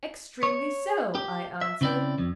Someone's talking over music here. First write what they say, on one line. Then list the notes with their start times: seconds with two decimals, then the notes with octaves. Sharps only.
'Extremely so,' I answered.
0.43 C#5
1.15 G4
1.61 E5
1.81 C#3 C4 E4 D5 G5
2.18 F2